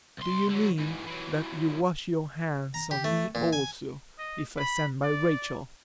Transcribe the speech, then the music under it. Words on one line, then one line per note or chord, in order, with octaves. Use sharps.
"Do you mean that you wash your hands of me also, if I stand by Rachel?"
C2 C6
D3 F#3
G#2 E3
E3 F#3
A#5
G4
A3
A#2
G#5
D#5
B5
D5